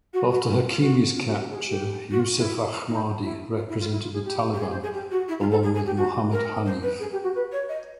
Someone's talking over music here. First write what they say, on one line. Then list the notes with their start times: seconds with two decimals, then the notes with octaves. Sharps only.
After Hakimi's capture, Yousef Ahmadi represented the Taliban, along with Muhammad Hanif.
0.13 F#4
0.29 F#4
0.48 E4
0.58 F4
0.70 F4
0.81 F#4
1.15 F4
1.27 F#4
1.39 G4
1.50 G#4
1.67 G4
2.10 F#4
2.19 F4
2.36 E4
2.88 D#4
3.22 E4
3.56 F4
3.68 E4
3.79 F4
3.91 E4
4.03 F4
4.13 G#4
4.24 G4
4.53 G4
4.60 G#4
4.71 C5
4.82 G#4
4.93 G4
5.11 F#4
5.28 E4
5.40 F4
5.51 A4
5.62 G#4
5.74 G#4
5.85 G4
5.96 F#4
6.32 A#4
6.65 C5
6.82 B4
6.99 G#4
7.12 G4
7.23 F#4
7.34 B4
7.51 C#5
7.68 D#5